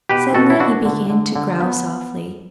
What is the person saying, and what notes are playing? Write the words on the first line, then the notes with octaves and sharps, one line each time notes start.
Suddenly he began to growl softly.
B2 G4 B4
B2 F#4 A4
E4
B2 D4 F#4
D3
D3
D3
B3